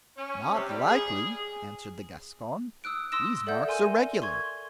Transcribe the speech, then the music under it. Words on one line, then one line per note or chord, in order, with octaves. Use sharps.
"Not likely," answered the Gascon; "these marks are regular."
C#4
C3
G3
G#4
D#6 E6 F#6 D7
C6 D#6 E6 A#6 E7
A4 D5 E5 F#5 G6
A#4 G#5 C6 D#7
C6 C#6 G#6